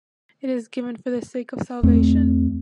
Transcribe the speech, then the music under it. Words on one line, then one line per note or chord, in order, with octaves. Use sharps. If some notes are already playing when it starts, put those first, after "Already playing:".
It is given for the sake of salvation.
E2 A3 C4